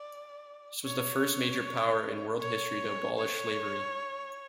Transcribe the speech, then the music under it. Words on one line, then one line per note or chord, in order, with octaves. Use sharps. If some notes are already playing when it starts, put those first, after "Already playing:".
This was the first major power in world history to abolish slavery.
Already playing: D5
C#5
C#5
C#5